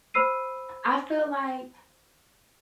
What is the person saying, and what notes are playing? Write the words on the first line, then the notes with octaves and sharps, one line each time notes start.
I feel like
C5 B5 E6 C7 D#7